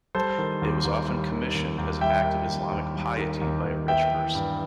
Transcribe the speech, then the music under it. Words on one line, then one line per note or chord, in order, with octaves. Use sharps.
It was often commissioned as an act of Islamic piety by a rich person.
G3 A4 C5
D#3
D#2
D#2
G3
D#3
D#2
D#2
G3 E5 G5
D#3
D#2
D#2
G3
D#3
D#2
D#2
B3 E5 G5
E3
G2